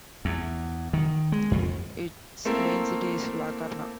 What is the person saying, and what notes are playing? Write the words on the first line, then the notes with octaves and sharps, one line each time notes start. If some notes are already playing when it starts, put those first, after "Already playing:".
Its main city is Larkana.
E2
D#3
G#3
F2
A3 A#3 C4 E4 A#4